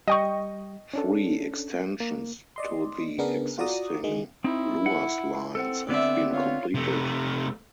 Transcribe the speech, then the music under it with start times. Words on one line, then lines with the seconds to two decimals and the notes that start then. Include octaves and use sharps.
Three extensions to the existing Luas lines have been completed.
0.08 G3 D#5 G5 C#6
0.94 C#4 D4 A4
2.00 A#3
2.56 D5 D#5 C6
3.18 C#3 B3 D4 G#4 A#4
3.58 F4 F#4 D5 A#5 D#6
4.04 D#3 G#3 G#4
4.44 C4 D#4 E4
4.86 F#5
5.55 C4 A4 F#5
5.89 D3 B3 C4 D5 E5
6.31 F4 C#5
6.75 C3 A3